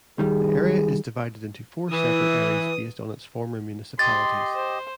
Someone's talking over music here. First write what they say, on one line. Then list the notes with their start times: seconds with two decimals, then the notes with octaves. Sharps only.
The area is divided into four separate areas based on its former municipalities.
0.19 D#3 G3 G#4
1.91 E3 E4 B4 D#6
3.99 G4 D#5 C6 A6
4.56 C5